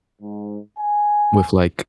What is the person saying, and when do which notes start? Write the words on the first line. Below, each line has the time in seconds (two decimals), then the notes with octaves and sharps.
with, like,
0.22 G#2
0.78 G#5